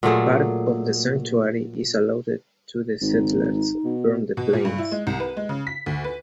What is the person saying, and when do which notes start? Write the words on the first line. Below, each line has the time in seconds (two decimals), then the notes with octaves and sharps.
Part of the sanctuary is allotted to the settlers from the plains.
0.03 A#2 F#3 A3 G#4
3.02 G#1 D#4
3.85 B2
4.37 B2
4.53 A#2
4.65 G2
4.78 E4
4.92 G#3
5.07 C2
5.20 B4
5.37 G#3
5.49 C#3
5.67 B6
5.86 D2
6.04 B4